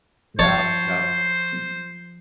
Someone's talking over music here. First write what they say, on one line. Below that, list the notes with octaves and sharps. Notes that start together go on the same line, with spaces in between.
Yup, yup.
F3 C5 C#5 A5